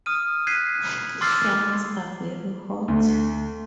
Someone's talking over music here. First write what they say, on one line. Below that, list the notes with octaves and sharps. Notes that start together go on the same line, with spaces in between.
Summers are very hot.
D#6 F6 D#7
F#6 G#6 B6 C7 D#7
C7
C6 D6 E6 F6 A6 C7
D2